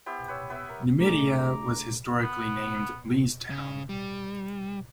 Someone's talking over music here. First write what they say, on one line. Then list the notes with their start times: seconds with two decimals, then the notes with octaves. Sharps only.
Numidia was historically named "Leestown".
0.06 B3 E4 G4 C5
0.28 B4 C#5 E6
0.50 B3 B4 E5 E6
0.69 A#4
1.00 A3 D4 G#4 A#5 D6
2.23 B3
3.50 C#3
3.89 G3